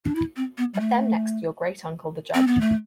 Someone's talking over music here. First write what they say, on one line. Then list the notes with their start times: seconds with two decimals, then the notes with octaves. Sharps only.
Put them next to your great-uncle the judge.
0.05 D4
0.15 E4
0.36 C4
0.58 B3
0.74 G3
0.80 A3
2.34 C4
2.47 B3
2.61 A3